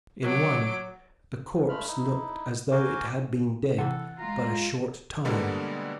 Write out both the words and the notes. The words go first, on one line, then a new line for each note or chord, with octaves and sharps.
In one the corpse looked as though it had been dead but a short time.
F#3 D6
G2 G#3 A3 B5 F6
D#4 E4
F#4 A#4 C5 G#5 C6 D6
C3 E3 A4 F#5
G#3 F4 A#5
B2 D3 G3 G#3 A#3 B3